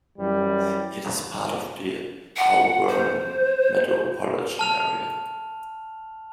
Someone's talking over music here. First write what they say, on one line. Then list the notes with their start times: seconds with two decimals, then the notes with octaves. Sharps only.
It is part of the Auburn Metropolitan Area.
0.18 F#2 E3 G3
2.37 F#5
2.88 C5
4.59 A5 F6 F7